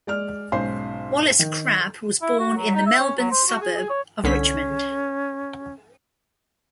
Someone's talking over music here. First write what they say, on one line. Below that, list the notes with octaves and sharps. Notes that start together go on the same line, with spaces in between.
Wallace-Crabbe was born in the Melbourne suburb of Richmond.
G#3 D5 F6
B1 G#2 C#4 C5 C6 C7
D#3
E4
F#4
F#3
D#4
E5
C#4
F#3
C5
F#4
G#4
G#4
C#5
C2 D3 C#4 B6